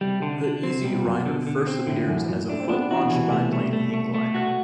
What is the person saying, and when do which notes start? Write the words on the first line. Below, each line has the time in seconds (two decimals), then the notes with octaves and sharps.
The Easy Riser first appears as a foot-launched biplane hang glider.
0.01 C3 G3
0.22 D3
0.44 D3
0.63 C4
0.76 C3
0.84 B2 G3
1.05 F#2 B2
1.25 B2 D3
1.47 D3
1.67 C4
1.87 A2 D3
2.08 F#2 E3
2.28 F#2 F#3
2.49 A3 D4
2.60 C4
2.69 B3 D4
2.90 E3 F#4
3.05 B2
3.11 C3 E3
3.26 B2
3.32 C3 A3
3.52 G3 A3
3.73 A3
3.94 A3
4.15 A3
4.35 F#4